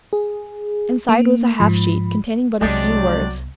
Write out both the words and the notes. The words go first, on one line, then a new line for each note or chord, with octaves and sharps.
Inside was a half sheet containing but a few words.
G#4
A#3
G#2 F3 B5
C2 C3 F#3 G#3 B3 D4 G4 D5